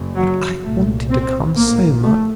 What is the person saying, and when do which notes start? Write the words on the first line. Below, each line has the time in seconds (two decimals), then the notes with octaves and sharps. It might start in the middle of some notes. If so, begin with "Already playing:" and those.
But I wanted to come so much.
Already playing: F#1 F#2 C#3
0.15 F#3
0.63 C2 A#2 A3
1.10 C4
1.56 A#1 A2 A#3
2.03 A3